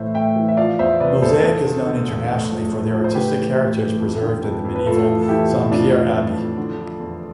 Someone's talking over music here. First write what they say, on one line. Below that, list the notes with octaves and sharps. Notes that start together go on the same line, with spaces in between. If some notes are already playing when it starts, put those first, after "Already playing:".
Moissac is known internationally for the artistic heritage preserved in the medieval Saint-Pierre Abbey.
Already playing: A2 E3 C5 E5
A2 E5 G5
E3
E5
F3 D5 F5
E2 C5 E5
C3 B4 D5
E2 A4 C5
E2
D3
D3
E2
A2
F3
A2
F3
C5
A2 G4 B4
E3
A2
E3
F2
D3
F2
F2
B4
A2 F4 A4
E3
A4
E3 E4 G4
A2
F2 D4 F4
E3
F2
F2
D3
F3
E2